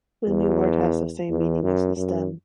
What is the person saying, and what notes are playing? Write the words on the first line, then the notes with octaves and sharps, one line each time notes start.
The new word has the same meaning as the stem.
E2
E2
F#2
F#2